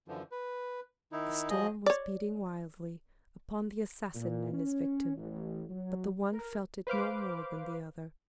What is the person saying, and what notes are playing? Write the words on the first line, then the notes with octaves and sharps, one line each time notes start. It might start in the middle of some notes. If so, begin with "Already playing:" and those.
The storm was beating wildly upon the assassin and his victim; but the one felt it no more than the other.
F#2 D3 E3 F3
B4
D#3 D#4 E4
F3 F#3 G#4 D#5
C#5 D5
A#2
C#4
A1
F#3
A#4
B4 C5 F5 D6